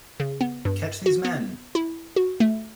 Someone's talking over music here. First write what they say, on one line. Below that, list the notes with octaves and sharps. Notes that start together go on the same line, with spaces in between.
Catch these men!
C#3
B3
G2
F#4
B3
E4
F#4
A3